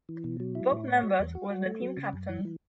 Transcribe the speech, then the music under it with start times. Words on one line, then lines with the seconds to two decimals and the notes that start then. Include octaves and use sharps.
Bob Numbers was the team captain.
0.09 E3
0.24 B2
0.40 F#3
0.55 E4
0.72 A2
0.88 C#5
1.03 F#4
1.19 E2
1.35 F#4
1.50 F#4
1.66 A3
1.81 F#3
1.97 C#3
2.13 F#2
2.29 E3
2.45 E3